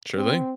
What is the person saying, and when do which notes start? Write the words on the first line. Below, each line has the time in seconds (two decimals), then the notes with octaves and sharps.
Sure thing.
0.16 C4